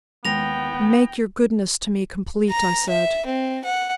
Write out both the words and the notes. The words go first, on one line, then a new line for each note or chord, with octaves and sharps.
"Make your goodness to me complete," I said.
D#2 G#3 B3 G5 A#6 F7
A#5
E5
C4
F#5